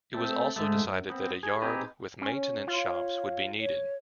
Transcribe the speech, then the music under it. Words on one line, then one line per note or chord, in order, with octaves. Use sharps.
It was also decided that a yard with maintenance shops would be needed.
A3 C4
G#2 G#3 A3
F#2
B3 C4
G#4
C4 D#4 G4 G#4 B4
C#4
F4 C#5
C#5